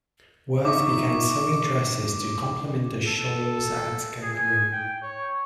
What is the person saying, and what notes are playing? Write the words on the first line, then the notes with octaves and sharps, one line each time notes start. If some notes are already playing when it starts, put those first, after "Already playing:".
Worth began sewing dresses to complement the shawls at Gagelin.
D#4 E5 C#6 D6
A4
G#4
G#5
G5
C#5